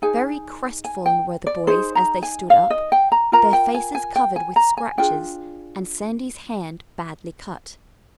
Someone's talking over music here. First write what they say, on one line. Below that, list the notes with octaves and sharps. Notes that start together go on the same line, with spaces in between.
Very crestfallen were the boys as they stood up, their faces covered with scratches and Sandy's hand badly cut.
D#4 G#4 G#5
G#5
G5
D5
D#4 G#4 C5
A#5
G#5
F5
D#5
G5
A#5
F4 A#4 A#5
G5
G#5
G#5
G5
G#5
A#5
G#5
D4 F4 G#4 G5